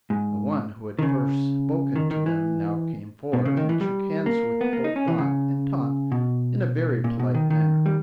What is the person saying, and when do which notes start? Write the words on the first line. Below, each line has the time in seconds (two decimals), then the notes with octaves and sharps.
The one who had first spoken to them now came forward and shook hands with both Dot and Tot in a very polite manner.
0.10 G#2
0.99 D#3
1.03 C#3
1.96 D#3
2.11 D#3
2.26 E3
3.33 B2
3.45 C#3
3.57 D#3
3.69 E3
3.81 G3
4.26 A#3
4.61 B3
4.73 A#3
4.84 D#4
4.96 C#4
5.08 E3
5.18 C#3
6.12 B2
7.04 A#2
7.19 B2
7.34 D#3
7.50 D#3
7.86 G3